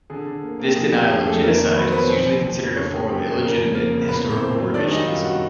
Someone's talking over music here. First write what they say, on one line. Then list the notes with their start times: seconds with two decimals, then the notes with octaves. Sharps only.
This denial of genocide is usually considered a form of illegitimate historical revisionism.
0.10 D3 G#4
0.26 D3
0.43 A#3
0.60 A#3 G4
0.76 F2 G#4
0.92 F2 G4
1.10 D3 G#4
1.26 F2 A3 A4
1.43 A#3 A#4
1.59 D#3
1.75 F#3 B4
1.84 C5
1.92 A#3 B3 B4
2.09 F2 C4 C5
2.26 F2
2.42 F2
2.58 C#3
2.75 D3 C#4 C#5
2.92 A#3 G#4
3.08 F#2 G4
3.25 F3 G#4
3.42 C#3 A#3 A#4
3.58 F2
3.74 F3 A#3 A#4
3.91 C#3
4.08 A#3 B3 B4
4.24 A2
4.30 C4 C5
4.42 A2
4.59 F#3
4.74 D#3 D4 D5
4.91 G3 D#4 D#5
5.08 F#2 F4 F5
5.24 F#4 F#5